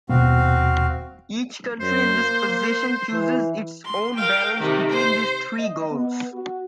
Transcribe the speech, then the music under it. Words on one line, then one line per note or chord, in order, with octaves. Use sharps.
Each country in this position chooses its own balance between these three goals.
D#1 B2 B3 C4 F#4 F5
F#2 C5
A#3
E3
C6
A#4 F5 G5
C3 D#3 A3
C5
D#5
B3
F#4